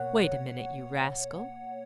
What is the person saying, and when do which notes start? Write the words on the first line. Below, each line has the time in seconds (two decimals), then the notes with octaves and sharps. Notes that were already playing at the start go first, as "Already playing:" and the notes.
Wait a minute, you rascal!
Already playing: B2 A#3 C#5 F#5